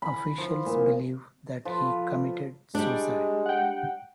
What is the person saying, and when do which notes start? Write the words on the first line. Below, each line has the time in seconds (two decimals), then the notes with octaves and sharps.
Officials believe that he committed suicide.
0.02 B5
0.38 F3
0.66 A#2
1.65 F3 A4 B4
2.75 G3 G#3 D4
3.46 F#5 G5